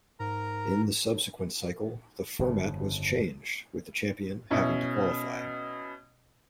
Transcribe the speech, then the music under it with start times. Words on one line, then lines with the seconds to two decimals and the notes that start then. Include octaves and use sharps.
In the subsequent cycle, the format was changed, with the champion having to qualify.
0.20 G#2 A#4 A#5
2.39 G1 F2 A2 C#3
4.51 B2 C#4 E4